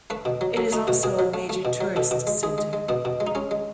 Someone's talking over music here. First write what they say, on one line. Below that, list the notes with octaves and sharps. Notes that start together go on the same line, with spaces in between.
It is also a major tourist centre.
A3 B4
B2
F#3
F#3 A4
A3 D#4
B2 F#4
B2 G#4
F#3
A3
A3
B2
F#3
B2 A4
B2
G#3
G#3 G#4
G#3
G#3
B2 B3
B2
G#3
D#4
G#3 C#4
G#3